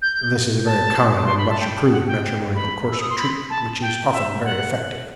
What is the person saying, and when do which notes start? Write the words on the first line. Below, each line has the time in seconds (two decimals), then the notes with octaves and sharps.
This is a very common and much-approved matrimonial course of treatment, which is often very effective.
0.02 G6
0.66 A5
1.25 C6
1.38 B5
1.49 A5
1.60 G5
1.92 F#5
2.07 G5
2.56 B5
2.92 E6
3.00 D#6
3.10 C6
3.18 B5
3.50 A5
3.82 G5
4.13 E5
4.44 F#5